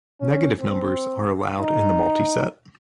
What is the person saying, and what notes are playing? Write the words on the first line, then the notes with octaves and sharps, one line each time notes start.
Negative numbers are allowed in the multiset.
C#4
C4
D#4